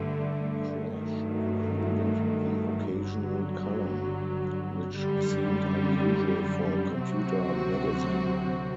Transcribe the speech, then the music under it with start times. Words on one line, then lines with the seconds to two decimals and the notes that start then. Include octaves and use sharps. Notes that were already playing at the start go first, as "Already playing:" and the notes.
"Crash" included the occasional column which seemed unusual for a computer magazine.
Already playing: G2 D3 A3
0.96 G2 D#3 F#3 A3
2.97 G1 G2 D3 F#3
4.97 F#2 D3 G3
6.96 D2 C3 F#3 C4 F#4